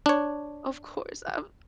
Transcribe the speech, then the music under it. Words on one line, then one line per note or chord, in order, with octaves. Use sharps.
of course, um
D4 C#5